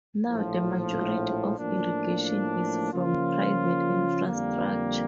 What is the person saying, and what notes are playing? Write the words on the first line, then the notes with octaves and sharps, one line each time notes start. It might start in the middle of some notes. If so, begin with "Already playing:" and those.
Now the majority of irrigation is from private infrastructure.
A#1 A2 F3
A1 A2 F3 A#3 D4
C#3 F3 A#3 C#4 F4
F2 D3 G3 A#3